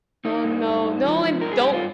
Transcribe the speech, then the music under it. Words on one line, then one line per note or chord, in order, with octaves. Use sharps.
Oh, no. No, and don't
A#3 D#4
G2
G2
G2
F3
F3
G2 A#4
G#4
G2 G4
F4